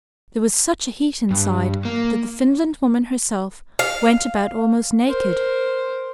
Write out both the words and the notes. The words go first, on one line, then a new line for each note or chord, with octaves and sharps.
There was such a heat inside that the Finland woman herself went about almost naked.
G2
A#3
F5
A#4 C5